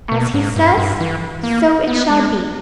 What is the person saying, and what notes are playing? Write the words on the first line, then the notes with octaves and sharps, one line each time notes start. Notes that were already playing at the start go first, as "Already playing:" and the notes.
As he says, so it shall be.
B2
G#2
G2
G2
E3
A#3
B3
G#3